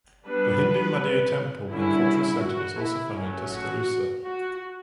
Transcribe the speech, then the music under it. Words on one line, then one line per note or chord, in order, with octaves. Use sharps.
The Hindu Mandir Temple and Cultural Center is also found in Tuscaloosa.
G3 B3 D4 B4
D3 G3 C#4 E4
F#4
E4
F#3 A3 C#4
F#4
F#4